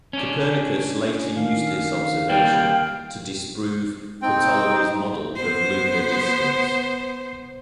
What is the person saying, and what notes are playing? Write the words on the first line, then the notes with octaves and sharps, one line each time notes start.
Copernicus later used this observation to disprove Ptolemy's model of lunar distance.
C#4 D4
D#3 F5
G3 A#3 F5 G5
C4 D#4 G5
B3 C5